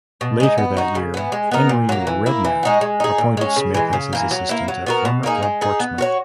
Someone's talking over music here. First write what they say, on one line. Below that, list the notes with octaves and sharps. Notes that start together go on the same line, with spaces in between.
Later that year, Harry Redknapp appointed Smith as his assistant at former club Portsmouth.
B2
G#3 D#4
B3
D#4 F#4
C#3
E3 B3
G#3
B3 D#4 A#4
A#2
F#3 A#3
E3
A#3 E4
E3
G#3 D#4 F#4
G#3
D#4 G#4
A#2
G#3 C#4
C#3
E3 G#3
C#3
E3 A#3
F#3
A#3 E4
F#3
B3 F#4 A#4
B2
A#3 D#4 G#4
G#3
D#4 G#4
B3
F#4 A#4 C#5